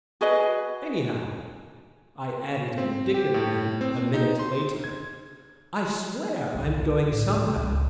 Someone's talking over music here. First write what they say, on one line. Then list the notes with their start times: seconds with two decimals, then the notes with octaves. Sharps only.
"Anyhow," I added indignantly a minute later, "I swear I'm going somehow."
0.21 F#4 G#4 B4 D#5
2.78 C4
3.14 G4
3.34 A2
3.81 C4
4.14 D#4
4.39 C6
4.84 G#6
6.55 C2 F2
6.82 D#4
7.12 A2
7.28 A#2
7.56 C#2 G#2